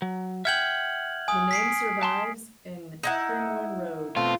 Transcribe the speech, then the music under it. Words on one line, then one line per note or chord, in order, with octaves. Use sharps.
The name survives in Cremorne Road.
F#3
E5 F#5 G5 F6 G#6 F#7
G#5 D#6
B6 C7 D7
A5 C6
D#4 E4 F#5
B2 A3 C4 F4